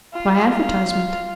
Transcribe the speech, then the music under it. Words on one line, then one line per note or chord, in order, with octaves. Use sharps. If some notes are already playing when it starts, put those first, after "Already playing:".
"By advertisement."
F4
F4